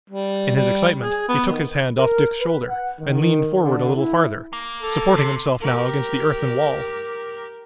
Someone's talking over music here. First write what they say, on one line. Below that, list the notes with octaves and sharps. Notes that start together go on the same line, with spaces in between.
In his excitement he took his hand off Dick's shoulder and leaned forward a little farther, supporting himself now against the earthen wall.
G3
G3
G#4
B3
D#3
A#4
B4
F#5
D#3
D3
E4
A#3
A4
C3
G4 A#4